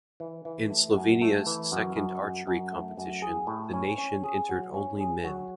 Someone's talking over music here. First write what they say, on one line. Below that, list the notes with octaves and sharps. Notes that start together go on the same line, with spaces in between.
In Slovenia's second archery competition, the nation entered only men.
E3
E3
A3
F#2
A3
E3
F#2
F#2
F#2
F#2
A3
F#2
G#4
A2
C#4
C#4
G#4
F#3
C#4
G#4
F#3